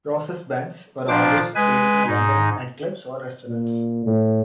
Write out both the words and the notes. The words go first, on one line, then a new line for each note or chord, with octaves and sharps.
Ros's bands were always based in London nightclubs or restaurants.
A#2 F3 D4 C5 D6
G#3 B4 G#5
G#2 D#4
A#2
A2